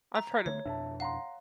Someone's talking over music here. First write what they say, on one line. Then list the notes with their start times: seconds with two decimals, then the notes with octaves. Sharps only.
I've heard of it.
0.15 A#5
0.46 D3 A3 C#5
0.65 F2 B2 D4 E5 A5
1.00 F5 F#5 A#5 C6